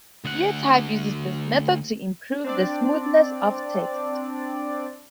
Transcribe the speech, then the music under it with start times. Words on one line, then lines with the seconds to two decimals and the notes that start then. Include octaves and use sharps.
ClearType uses this method to improve the smoothness of text.
0.25 D2 F#5
2.44 C4 D4 D5